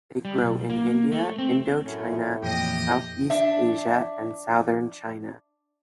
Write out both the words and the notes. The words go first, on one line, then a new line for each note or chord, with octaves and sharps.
They grow in India, Indochina, Southeast Asia, and southern China.
G3
B1
A#3
A3
C4
F#2 A2 C#4
F2 A#2 E3 G4 D#5 G5
D4 E5